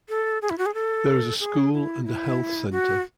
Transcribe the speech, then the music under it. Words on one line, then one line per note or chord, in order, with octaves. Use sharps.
There is a school and a health centre.
A4
G#4
E4
F#4
G#4
A4
G#4
E4
E4
F#4